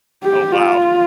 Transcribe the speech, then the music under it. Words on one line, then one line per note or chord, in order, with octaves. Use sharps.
Oh, wow.
G4
F4